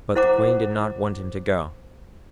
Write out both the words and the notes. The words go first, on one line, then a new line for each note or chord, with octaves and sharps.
But the Queen did not want him to go.
E4 C5 F#5 A#5 D6